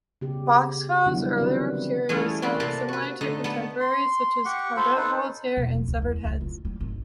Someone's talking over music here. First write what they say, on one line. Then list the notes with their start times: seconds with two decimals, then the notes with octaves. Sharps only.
Boxcar's early material sounded similar to contemporaries such as Cabaret Voltaire and Severed Heads.
0.21 C#3 B3 G4
1.06 D#3 F3 F#3 B3 D4 E4
1.18 G3
1.38 D3 E3 C4 F#4 B4
2.09 E3 G3 A3 C#4 F4 G#4
2.42 C4 C#4 B4 D5 B5
2.60 C3 A#3 G5 A5 B5
2.88 F#4 B4
3.21 D3 A3 D#4
3.44 A3 B3
3.80 C6
4.45 G4 F#5 C#6
4.76 F4 A4 C5 B5
4.97 D#4 A4 B4 C5
5.57 E1
5.76 F3
5.88 C#2
6.02 E2
6.24 C#2
6.41 F4
6.65 G3
6.80 G#1